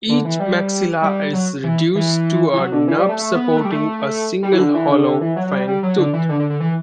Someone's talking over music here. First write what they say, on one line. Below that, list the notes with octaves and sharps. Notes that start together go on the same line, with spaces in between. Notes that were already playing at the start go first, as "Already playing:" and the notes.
Each maxilla is reduced to a nub supporting a single hollow fang tooth.
D3
E3
G3
G3
F#3
E3
E3
E3
F#3
D3
E3
G3
A3
A3
B3
B3
A3
G3
A3
G3
E3
D3
E3
D3
D3
E3
F#3
F#3
G3
G3
F#3
D3
E3
D3
D3
D3
E3